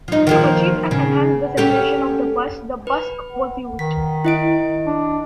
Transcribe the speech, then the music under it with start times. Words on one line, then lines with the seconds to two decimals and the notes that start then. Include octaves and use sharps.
To achieve and enhance the separation of the bust the "busk" was used.
0.08 F3 D#4
0.27 D#3 F3 A#3
0.91 C#3
1.57 C#4 G4 A4
2.87 B4
3.79 D#3 B6
4.25 E4 D#5 D7
4.86 D4